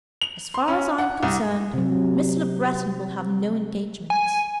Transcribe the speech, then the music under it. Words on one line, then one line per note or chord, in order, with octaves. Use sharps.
"As far as I am concerned, Miss Le Breton will have no engagements."
F7
C6
C#4
F#5
C2
C3 F#3
G#5